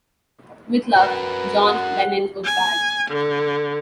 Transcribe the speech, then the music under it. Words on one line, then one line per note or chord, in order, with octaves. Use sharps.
With love, John Lennon of Bag.
F#4 A#4 B4
F#5
G#5
D3